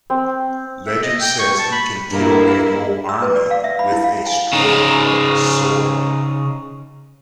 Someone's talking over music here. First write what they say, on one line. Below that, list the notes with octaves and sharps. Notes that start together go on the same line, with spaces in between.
Legend says he can kill a whole army with a stroke of his sword.
C4
E5
D#5
G5
C#6
A5
B5
G2 A#3 E4
E6
B4
D5
F5
E5
B5
E4
F5
G#5
C#3 D#4